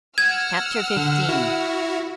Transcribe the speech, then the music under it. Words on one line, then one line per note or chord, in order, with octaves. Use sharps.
Chapter XV.
F#5 E6 F6 G#6
D3
E4 F#4